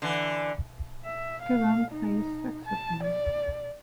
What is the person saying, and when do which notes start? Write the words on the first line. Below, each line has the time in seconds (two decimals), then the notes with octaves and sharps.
Scavone plays saxophone.
0.02 D3 E3
1.05 E5
1.42 F5
1.91 D#4
2.65 A5
3.04 D5